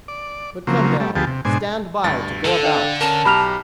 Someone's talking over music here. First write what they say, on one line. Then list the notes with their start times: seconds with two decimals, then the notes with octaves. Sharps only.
But come now, stand by to go about.
0.08 D5
0.67 C#3 F3 F#3 A#3 C4
1.00 G3 A3
1.15 D2 F3 B3 G4 G#4 A5
1.27 C3
1.45 G#2 B2 D4 C5 G#5
2.04 D2 G2 A6
2.45 D3 A4
2.63 D4 F5 G5
3.01 C#4 A#4 A5
3.25 B1 G4 A#5 B5 F6 F7